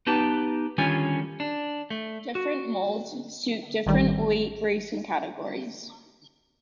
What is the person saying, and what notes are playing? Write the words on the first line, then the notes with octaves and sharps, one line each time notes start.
Different molds suit different weight racing categories.
B3 D#4 G4 B4 A5
D3 D#3 G3 C#4 F4 G#5
D4
A3
F#4
A1 D#3 G3